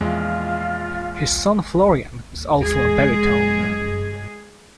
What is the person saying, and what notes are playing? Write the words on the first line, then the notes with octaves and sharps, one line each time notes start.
His son Florian is also a baritone.
A#1 E2 G#3 F4
G#3 G#4